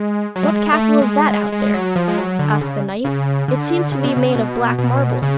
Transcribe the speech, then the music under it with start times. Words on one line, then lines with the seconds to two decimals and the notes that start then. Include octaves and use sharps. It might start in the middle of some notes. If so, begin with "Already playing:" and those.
'What castle is that out there,' asked the knight; 'it seems to be made of black marble?'
Already playing: G#3
0.36 F#3
0.43 G#3
0.73 A3
1.02 G#3
1.31 G#3
1.52 G#3
1.74 F#3
1.96 F3
2.08 G#3
2.18 F#3
2.39 D3
2.61 C#3
3.04 C#3
3.48 D3
3.92 C#3
4.04 B2
4.17 C#3
4.35 B2
4.78 B2
5.22 C#3